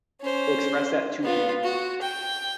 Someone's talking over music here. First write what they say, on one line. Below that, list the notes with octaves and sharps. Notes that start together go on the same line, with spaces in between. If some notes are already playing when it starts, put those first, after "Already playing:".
express that to him,
C#4 C5
B3 F4
F#4
G5